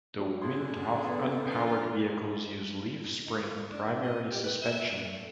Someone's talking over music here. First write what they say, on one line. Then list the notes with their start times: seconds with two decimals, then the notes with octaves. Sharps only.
The Windhoff unpowered vehicles use leaf spring primary suspension.
0.19 F#3 D4
0.41 D3 G#4 C6
1.04 B3 C6
1.50 F3 C4 D4 F4
3.26 D#4
3.41 A#3
3.72 D4
3.85 D#3
4.03 D#5
4.31 G4
4.44 B4
4.62 E5
4.89 D4
5.05 A3